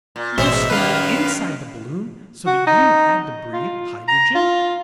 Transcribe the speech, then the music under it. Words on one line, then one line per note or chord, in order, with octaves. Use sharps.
"Were you standing inside the balloon so that you had to breathe hydrogen?"
A#2
A1 B2 G3 C5 C#5 E5
G#3
F#2 D#3 F3 B4 F5
F#4
D#4
F4
A#5
F4